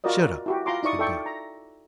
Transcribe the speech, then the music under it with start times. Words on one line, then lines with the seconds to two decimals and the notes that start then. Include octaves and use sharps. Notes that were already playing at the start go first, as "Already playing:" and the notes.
"Shut up," said Buck.
0.04 F4 F#4 A#4 D5 D#5
0.46 E4 F#4 G4
0.66 F4 A#5 C6 D6
0.83 D#4 E4 D5 C#6 D#6
0.99 A4 D5 E5 G5 C#6 D6
1.26 A#5